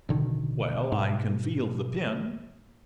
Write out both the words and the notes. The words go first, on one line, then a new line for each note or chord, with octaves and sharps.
"Well, I can feel the pin."
A1 B2 D3 D#3
G#2